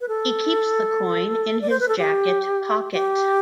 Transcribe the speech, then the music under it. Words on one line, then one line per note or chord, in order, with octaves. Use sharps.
He keeps the coin in his jacket pocket.
B4
A4
D5
C5
B4
A4
G4
G4